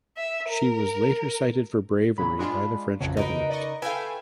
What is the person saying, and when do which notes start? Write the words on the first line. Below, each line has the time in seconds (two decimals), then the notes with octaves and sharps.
She was later cited for bravery by the French government.
0.17 E5
0.49 A#4
2.18 A#2 C#3 F#3 B5
2.39 G#3 D4 F4
3.00 A1 F2 C#3 F#3
3.17 D#4 A#4 B4
3.50 D5 D#5 C#6
3.82 A3 E4 B4 F5 G5 G#5